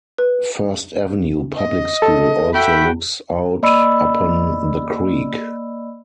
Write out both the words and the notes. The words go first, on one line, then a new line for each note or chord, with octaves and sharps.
First Avenue Public School also looks out upon the creek.
B4
D#5
A4
F#4 E5 G5 B5
A#3 D5 D#5 B5 E6